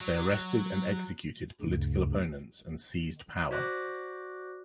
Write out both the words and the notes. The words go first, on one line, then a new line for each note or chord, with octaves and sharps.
They arrested and executed political opponents and seized power.
F#3
D2 G2 C#3
F#4 C5 D5 D6 F#6 A#6